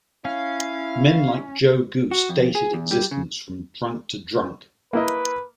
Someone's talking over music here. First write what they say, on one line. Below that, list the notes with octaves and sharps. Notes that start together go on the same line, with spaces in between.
Men like Joe Goose dated existence from drunk to drunk.
C#4 E4 F5
F#4
F2
G#4
E2
G3
C#3
A#3 E4 B4 D#5